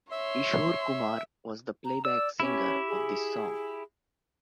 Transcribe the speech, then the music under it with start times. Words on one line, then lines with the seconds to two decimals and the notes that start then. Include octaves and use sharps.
Kishore Kumar was the playback singer of this song.
0.12 C#5 E5 C6
1.85 A#5
2.05 D5 E6
2.40 C#4 E4 G4
2.88 G#4